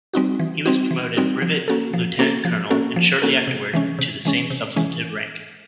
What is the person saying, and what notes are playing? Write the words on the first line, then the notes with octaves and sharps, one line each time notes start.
He was promoted brevet lieutenant-colonel and shortly afterwards to the same substantive rank.
G3 C4 D#4 F#4
E3
G3 C4 D#4 F#4
E3
G3 C4 D#4 F#4
F3
A#3 C#4 F#4 A4
F3
A#3 C#4 F#4 A4
F3
A#3 C#4 F#4 A4
F3
A#3 C#4 F#4 A4
C3
E3 G#3 C#4
C3
E3 G#3 C#4
C3
E3 G#3 C#4